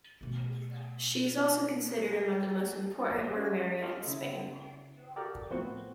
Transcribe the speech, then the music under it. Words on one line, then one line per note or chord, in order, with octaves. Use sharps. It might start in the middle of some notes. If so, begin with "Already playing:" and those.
She is also considered among the most important romeria in Spain.
B2 A3
C#4 F#4 C5 D5 E5 F5
F4 G4 A4 C#5 D#5 F5
C#3 E4
F#4 G4 A4 A#4 D5
A2 F3 B3 C4 F#4